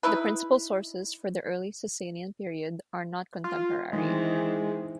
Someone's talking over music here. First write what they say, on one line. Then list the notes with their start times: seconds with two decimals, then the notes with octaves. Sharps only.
The principal sources for the early Sasanian period are not contemporary.
0.03 D#4 E4 B4
3.44 F4
3.93 D#3 E3 G#3 C4